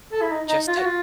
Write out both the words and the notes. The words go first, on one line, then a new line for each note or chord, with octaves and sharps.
just to
A4
E4
D#4
D#4
F4
F#4
F4